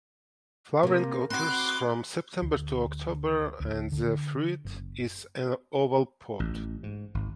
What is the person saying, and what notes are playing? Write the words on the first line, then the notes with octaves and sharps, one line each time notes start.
Flowering occurs from September to October and the fruit is an oval pod.
C3 A#3 A#4
C4 F#4 B5 C6 D6 F#6
D2
D2
D3
F#1
A1
G#2
G#1